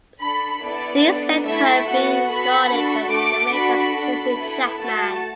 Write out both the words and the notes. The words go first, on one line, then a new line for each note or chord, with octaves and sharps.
These led to her being regarded as Jamaica's Tracy Chapman.
D4 A4 B5
B3 E4 A4 D5
B3 D4 A4
A3 E4 A4 E5
B3 F#4 A4 F#5
B3 F#4 A4 B5
D4 F#4 A4
A3 F#4 A4 D6
D4 F#4 A4 B5
D4 A4 B5
B3 E4 A4
A3 F#4 A4 A5